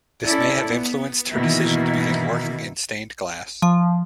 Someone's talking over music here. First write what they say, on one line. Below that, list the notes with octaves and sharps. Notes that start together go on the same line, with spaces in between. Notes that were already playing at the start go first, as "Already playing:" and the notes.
This may have influenced her decision to begin working in stained glass.
C#4 E4 A4 D5
B3
B2 D#3 E3 A#3 E4
F3